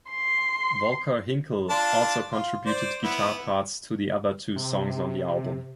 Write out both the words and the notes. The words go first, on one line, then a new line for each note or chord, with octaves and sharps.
Volker Hinkel also contributed guitar parts to the other two songs on the album.
C6
D4 F4 A5
F4
C5 D5
B3 E4
C3